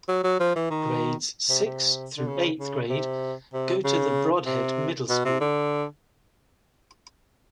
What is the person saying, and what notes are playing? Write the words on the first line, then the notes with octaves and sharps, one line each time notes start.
Grades sixth through eighth grade go to the Brodhead Middle School.
F#3
F#3
F3
E3
D#3
C3
C3
D3
C#3
C#3
C3
C3
C#3
C3
B2
C3
D3